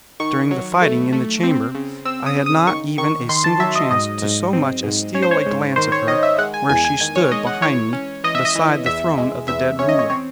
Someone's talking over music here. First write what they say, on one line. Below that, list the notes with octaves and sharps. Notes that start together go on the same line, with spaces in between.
During the fighting in the chamber I had not even a single chance to so much as steal a glance at her where she stood behind me beside the throne of the dead ruler.
D#3 C#6
F#3
A3
A3
C4
C#3
C4 E6
D#6
C#3
D#6
D#3 C#6
D#3 C#6
D#3 C6
A5
F#3 E5
D#5
G#2 D#5
G#2
C4
G#2
C#4 C#5
C5
C#5
G#2
D#3 C5
C#5
D#3 D#5
E5
G#3 F#5
G#5
E2 G#5
G#5
D#3 G#5
C#5
G#3 D#5
F#5
E3 C#5
C#4
E3 D#5
E5
D#5
E3
E2 E5
G#3
E2 E5
C#4 C#5
D#5
C#5
C4 C#5